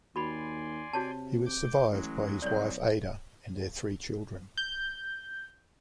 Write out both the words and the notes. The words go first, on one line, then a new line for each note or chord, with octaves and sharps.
He was survived by his wife Ada and their three children.
D#2 F#4 D5 G#5 B5 C6
C3 F#4 C#5 A5
D6 G6
A1 F#3 G#3
C2 C#5 D5
G6